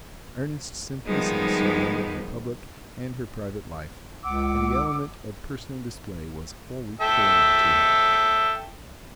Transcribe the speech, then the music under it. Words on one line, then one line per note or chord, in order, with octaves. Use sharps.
Earnest simplicity surrounded her public and her private life, and the element of personal display was wholly foreign to her.
D#3 F3 G3 G#3 B3 D#4
C#2 F#5 D6 E6
A4 E5 G5